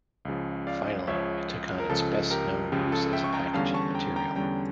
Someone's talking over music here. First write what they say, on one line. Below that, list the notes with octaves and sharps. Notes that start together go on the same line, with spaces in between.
Finally, it took on its best-known use as a packaging material.
C#2 C#3 F3
D5 F5
C#2 C#3 F3 C#5 E5
A#4
C#2 C#3 F3 A4
G4 A#4
C#2 C#3 F3 G4
A4
E5 G5
C#6
G5 A#5
E2 D3 G3 C#4 F5 A5
A5 C#6
G5 A#5
G5 A#5
E2 D3 G3 C#4 G5 A#5